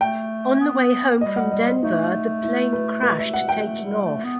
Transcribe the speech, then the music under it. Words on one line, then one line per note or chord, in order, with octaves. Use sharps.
On the way home from Denver the plane crashed taking off.
A3 G5
B3
G3 D#5
F#5
D#5
C5
A3 D#4
E4
B4
B4
E5
F#5
G5
A3
G3
A3
B3